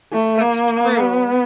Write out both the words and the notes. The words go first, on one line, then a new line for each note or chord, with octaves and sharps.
That's true,
A3
A#3
B3